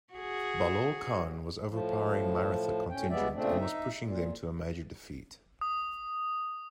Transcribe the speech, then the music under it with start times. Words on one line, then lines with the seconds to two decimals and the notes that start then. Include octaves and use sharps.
Bahlol Khan was overpowering Maratha contingent and was pushing them to a major defeat.
0.14 F#4 G#4
1.68 A2 F3
2.90 A2 C#4 G5
3.10 G3 G#3 B3 D5 E5
3.34 A#2 C#3 A3 C4 D4
3.57 D#4 E5
4.02 A#2
5.61 D#6